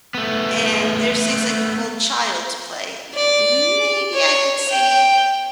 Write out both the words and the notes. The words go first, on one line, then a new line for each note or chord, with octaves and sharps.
And, there's things, like, well, Child's Play. M m maybe I could see,
A3 B3
D5
C#5
G5